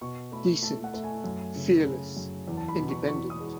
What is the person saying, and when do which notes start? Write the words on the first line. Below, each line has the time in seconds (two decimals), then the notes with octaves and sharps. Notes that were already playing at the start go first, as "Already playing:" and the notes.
Decent, fearless, independent.
0.01 B2 C#6
0.32 A3 B5
0.62 A3 A5
0.84 F#5
0.94 A3
1.04 G#5
1.24 F#2
1.56 C#3
1.86 C#3
2.17 F#2
2.48 E2
2.57 A5
2.68 B5
2.78 B2
2.89 C#6
3.09 E2 C#6
3.30 D#6
3.40 G#3